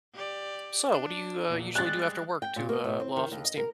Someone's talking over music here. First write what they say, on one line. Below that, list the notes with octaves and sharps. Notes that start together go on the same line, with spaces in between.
So what do you, uh, usually do after work to, uh, blow off some steam?
G4 D5
D4
E2 A#2
G3 G#3 F#6 A6
G5
A#2
A#3
A2
C4
D#3
D#2
D#5
A#4